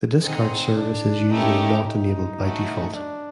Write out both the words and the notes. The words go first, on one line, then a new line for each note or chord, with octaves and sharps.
The discard service is usually not enabled by default.
C4 D#4 G#4 C5 D#5 F#5
D4
A3 C#4 D#4 E4 G4 A#4
D#4
A3 C#4 F#4
D4